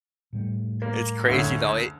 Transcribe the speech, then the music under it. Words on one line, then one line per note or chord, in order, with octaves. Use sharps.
It's crazy though, it
A2 G3 A3
A#3
F#1 D2 C#5